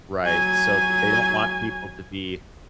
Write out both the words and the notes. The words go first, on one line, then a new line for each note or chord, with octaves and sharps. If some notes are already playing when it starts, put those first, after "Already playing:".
Right. So, they don't want people to be
F#3 G#5